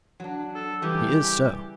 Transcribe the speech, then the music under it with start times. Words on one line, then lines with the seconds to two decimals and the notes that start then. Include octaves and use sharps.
"He is so."
0.20 F#3 D4
0.55 A4
0.82 C#3 E3 G3 G4